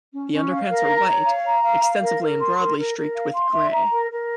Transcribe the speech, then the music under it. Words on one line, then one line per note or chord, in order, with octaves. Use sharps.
The underparts are white, extensively and broadly streaked with grey.
C#4
C#4
F5
A#4
A#5
C#5
F5
A#5
F5
F5
A#4
A#4
C6
A#4
A#4
A#4
F5
C6
E5
A#5
A#4
A#4